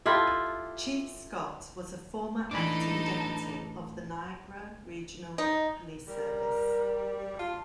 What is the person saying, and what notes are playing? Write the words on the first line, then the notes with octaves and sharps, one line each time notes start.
Chief Scott was a former Acting Deputy of the Niagara Regional Police Service.
E4 F4 G4 A4
A2 E3 D4 D#4 A4 B5 D6
D#4
G3 A#4
F4 A5